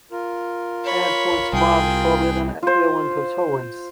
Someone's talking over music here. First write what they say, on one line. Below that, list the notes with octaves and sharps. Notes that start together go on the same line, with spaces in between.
Entrance was forbidden even to servants.
F4 A#4
C#5 B5
C2 G#4 G5
F4 C5